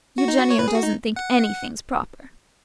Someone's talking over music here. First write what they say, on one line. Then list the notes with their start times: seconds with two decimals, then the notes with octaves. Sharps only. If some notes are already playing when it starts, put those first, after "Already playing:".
"Eugenio doesn't think anything's proper."
0.18 F#4
0.28 D#4
0.39 F#4
0.50 C#5
0.59 B4
0.68 G#4
0.75 F#4
0.83 D#4
1.16 F#5